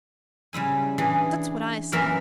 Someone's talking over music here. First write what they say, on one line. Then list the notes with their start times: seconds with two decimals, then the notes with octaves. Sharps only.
That's what I said.
0.53 C#3 G3 E4 G#5
0.98 E3 D4 G#4
1.92 F#2 E3 A#3 A#4 E5